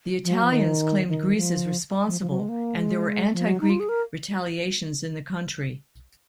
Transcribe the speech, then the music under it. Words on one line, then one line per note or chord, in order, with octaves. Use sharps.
The Italians claimed Greece as responsible and there were anti-Greek retaliations in the country.
F3
F#3
F3
D#3
D#3
F3
F3
F3
F#3
G#3
A#3
G#3
F3
F#3
D#4
F4
G#4
A#4